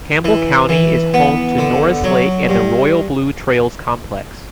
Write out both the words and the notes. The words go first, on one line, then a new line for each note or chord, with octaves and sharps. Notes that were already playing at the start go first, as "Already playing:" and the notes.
Campbell County is home to Norris Lake and the Royal Blue Trails Complex.
E3
E3
B3
D3
F#3
G2